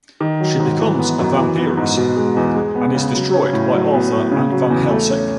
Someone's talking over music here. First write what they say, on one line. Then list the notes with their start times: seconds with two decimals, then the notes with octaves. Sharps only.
She becomes a vampiress and is destroyed by Arthur and Van-Helsing.
0.21 D#3
0.40 F#3
0.60 G#2
0.79 E3
0.99 B3
1.19 F#2
1.38 E3
1.58 B3
1.77 G#2
1.97 B2
2.16 G#3
2.36 E2
2.56 G#3
2.75 B3
2.95 C#3
3.15 F#3
3.34 C#4
3.53 A2
3.73 F#3
3.93 B3
4.12 A2
4.32 C#3
4.52 F#3
4.70 E2
4.90 A3
5.10 C#4